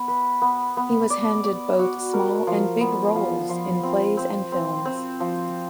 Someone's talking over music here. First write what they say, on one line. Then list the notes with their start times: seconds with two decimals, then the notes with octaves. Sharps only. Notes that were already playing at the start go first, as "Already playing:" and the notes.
He was handed both small and big roles in plays and films.
Already playing: B3
0.08 B4
0.42 B3
0.77 B3
1.10 D5
1.44 D5
1.79 F#4
2.13 A#4
2.47 F3
2.81 B3
3.16 F3
3.49 F3
3.83 C4
4.17 C4
4.52 C4
4.85 C4
5.20 F3